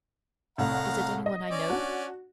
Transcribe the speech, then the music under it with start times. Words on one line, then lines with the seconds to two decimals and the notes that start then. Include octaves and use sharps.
"Is it anyone I know?"
0.58 C2 A2 F5 F#5 A#5
1.26 D#5
1.50 C#4 D5
1.70 D4 F#4